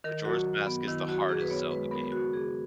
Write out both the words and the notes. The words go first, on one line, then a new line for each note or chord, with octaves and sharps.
Majora's Mask is the hardest Zelda game.
D#3 A#4
F#3 F#4
F#2
B3
D#3 E4
F#3 F#4
F#2 G#4
B4
B3 C#5
G#3 B4
B3 A#4
C#3 F#4
C#3 G#4